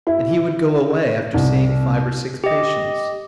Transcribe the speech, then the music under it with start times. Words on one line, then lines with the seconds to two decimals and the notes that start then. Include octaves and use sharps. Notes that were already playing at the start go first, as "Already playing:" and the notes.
And he would go away after seeing five or six patients.
0.07 E4
1.34 C2
2.44 G4 D#5